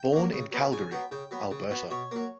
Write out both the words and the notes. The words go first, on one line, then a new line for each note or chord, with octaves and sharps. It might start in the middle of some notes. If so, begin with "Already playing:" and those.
Born in Calgary, Alberta.
Already playing: G5
F#3 A#3
C#3
F#3 B3
C#3 G#5
F#3 B3 G5
C#3 G5
F#3 B3
C#3
F#3 B3
B2 C#5
F#3 A#3